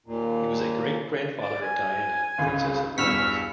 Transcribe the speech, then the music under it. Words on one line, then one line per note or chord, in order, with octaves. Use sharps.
He was a great-grandfather of Diana, Princess of Wales.
D#2 A#2
D5
G#5
G#1 C#2 C#3
B1 E2 G2 C#6 E6 F6 B6